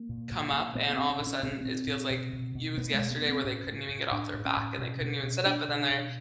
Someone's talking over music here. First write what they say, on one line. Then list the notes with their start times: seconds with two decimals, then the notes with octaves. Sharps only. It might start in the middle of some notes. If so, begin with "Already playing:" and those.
come up, and all of a sudden, it feels like it was yesterday where they couldn't even get off their back and they couldn't even sit up, but then they're
Already playing: A#3
0.09 A#2
0.32 A#2
0.53 A#2
0.75 A#2 B3
0.93 C4
0.98 A#2
1.10 C#4
1.20 A#2
1.27 C#4
1.43 A#2 C4
1.52 C#4
1.61 A#2 C4
1.87 A#2
2.10 B2
2.33 B2
2.55 B2
2.77 B2 B3
2.93 G#3
2.99 B2
3.11 B3
3.21 B2 B3
3.28 C4
3.44 A2 C#4
3.67 A2
3.89 A2
4.11 A2 D4
4.34 A2
4.45 C#4
4.57 A2
4.78 B2
5.01 B2
5.23 B2
5.46 B2 D4
5.68 B2
5.90 B2